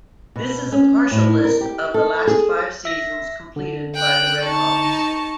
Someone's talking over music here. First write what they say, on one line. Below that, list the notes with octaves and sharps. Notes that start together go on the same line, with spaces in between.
This is a partial list of the last five seasons completed by the Redhawks.
B2
C#4
A2
A#4
G4
A4
G#4
E5 A#6
D3
G5 F#6
D#4 A5 C#6